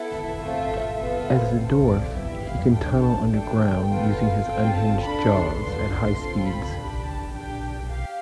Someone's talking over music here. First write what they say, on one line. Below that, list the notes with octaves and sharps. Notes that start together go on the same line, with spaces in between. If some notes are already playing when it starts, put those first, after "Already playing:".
As a dwarf, he can tunnel underground using his unhinged jaws at high speeds.
Already playing: B3 E4 A4
E5
A3 C4 F4 A4
B3 F4 A4
C5
C4 F4 A4 C5
D5
B3 E4 G4 E5
F5
D4 A4 G5
A5
A3 D4 A4 G5
B3 F4 A4
F5
C4 F4 A4 G5
A5
D4 A4 B5
C6
B3 D4 F4 A4 C6
C4 F4 A4
B5
D4 G4
A5
D4 G4 G5
G4 F5